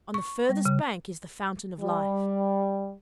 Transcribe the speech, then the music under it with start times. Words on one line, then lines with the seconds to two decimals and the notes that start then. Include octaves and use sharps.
On the furthest bank is the fountain of life.'
0.14 C#6
0.49 G3
0.65 C#3
1.79 G3